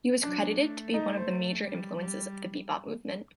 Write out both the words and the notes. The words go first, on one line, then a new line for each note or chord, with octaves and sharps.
He was credited to be one of the major influences of the bebop movement.
F#3 D4
A3
D#4
C5
G3
G3